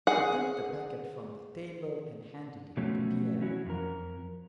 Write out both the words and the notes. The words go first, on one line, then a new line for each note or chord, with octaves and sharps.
He took the packet from the table and handed it to Pierre.
G#4 F#5
B2 F3 F#3 A3 B3 C#4
E3 F#3 C#4 E4 F#4
F2 A#4